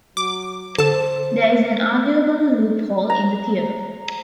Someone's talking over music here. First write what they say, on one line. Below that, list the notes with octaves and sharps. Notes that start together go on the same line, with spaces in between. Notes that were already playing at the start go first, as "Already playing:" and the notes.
There is an arguable loophole in the theorem.
F#3 D6
D3 A4 C5 A5
A#5